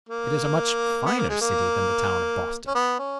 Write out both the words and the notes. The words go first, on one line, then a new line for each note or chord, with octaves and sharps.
It is a much finer city than the town of Boston.
A#3
B3
A#3
G#3
A#3
C#4
B3
C#4